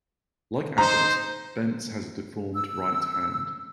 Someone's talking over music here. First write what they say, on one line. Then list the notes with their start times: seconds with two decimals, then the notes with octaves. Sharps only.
Like Abbott, Bentz has a deformed right hand.
0.78 D#4 C5 A#5
2.54 E6